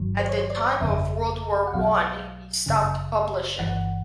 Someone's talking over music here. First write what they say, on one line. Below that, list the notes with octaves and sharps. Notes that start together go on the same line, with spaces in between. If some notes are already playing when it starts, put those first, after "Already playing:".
At the time of World War One, he stopped publishing.
Already playing: G1 G2 D#3 F#3
C5
C#5
C5
D5
G1 F2 C#3 E5
F#5
B1 B2 F#3 F5
G1 F#2 C#3
G1 G2 E3 F#5